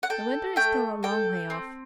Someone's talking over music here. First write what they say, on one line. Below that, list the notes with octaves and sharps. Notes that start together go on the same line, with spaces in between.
The Winter is still a long way off.
F#5
A4 G5
A3 G5
A4 G5
C4